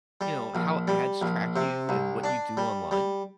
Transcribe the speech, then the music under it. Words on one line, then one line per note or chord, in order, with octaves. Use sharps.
you know, how ads track you and what you do online?
G3
A#1
G3
A#1
C3
C2
D4
G3
G3